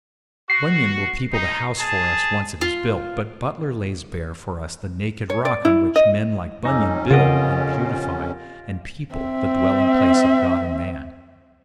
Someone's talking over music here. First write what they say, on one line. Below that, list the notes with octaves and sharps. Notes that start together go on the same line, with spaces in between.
Bunyan will people the house for us once it is built, but Butler lays bare for us the naked rock on which men like Bunyan build and beautify and people the dwelling-place of God and man.
F#4 C7
D#4
G#4 A5
F4
C#5
D5
E4
D#5
F2 C#4 D#4 G#5 D6 E6
C#3 F4 G4 A#4 D#5 F#5
C4 E5